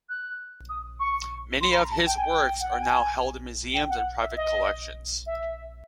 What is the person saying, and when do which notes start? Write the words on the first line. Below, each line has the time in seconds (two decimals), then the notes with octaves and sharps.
Many of his works are now held in museums and private collections.
0.09 F#6
0.69 D#6
1.00 C#6
1.61 C6
1.71 B5
1.76 A#5
1.91 A5
2.06 G5
2.17 G#5
2.22 G5
2.60 F#5
2.72 G5
2.82 G#5
3.74 G5
3.90 F#5
4.20 E5
4.36 D#5
5.26 E5